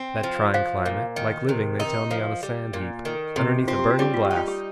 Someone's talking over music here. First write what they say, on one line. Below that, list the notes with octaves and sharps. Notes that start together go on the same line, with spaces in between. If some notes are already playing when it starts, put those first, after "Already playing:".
'That trying climate!--like living, they tell me, on a sand-heap, underneath a burning-glass!
Already playing: C4
F3
F3 C5 F5
A#2
D#3
C3
D#4 A#4 D#5
F3
G3
A#2
D#3
C3
C4 F4
G4
F4
G3 G4
F4
G4
D#4
F4
G4